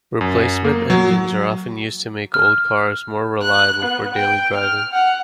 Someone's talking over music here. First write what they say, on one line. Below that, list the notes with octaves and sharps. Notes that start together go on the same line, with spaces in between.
Replacement engines are often used to make old cars more reliable for daily driving.
F#2
A#3
F#3
F6
F#6
B3
G5
F6
F#5